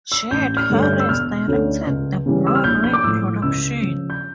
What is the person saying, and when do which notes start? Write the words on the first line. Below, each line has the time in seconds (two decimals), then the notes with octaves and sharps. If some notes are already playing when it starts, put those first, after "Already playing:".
Jed Haris directed the Broadway production.
0.12 E6
0.31 A1 G6
0.57 F6
0.70 G2 D3 A3 C#4
0.82 G6
1.00 E6
1.09 E1 F6
1.48 D2 D3 A3 C#4
1.87 C#2
2.26 C#3 E3 G3
2.47 E6
2.55 F6
2.64 A#1 G6
2.84 G6
2.93 D6
3.03 A2 F3 E6
3.42 C#2 E6
3.81 C#3 F3
4.10 G6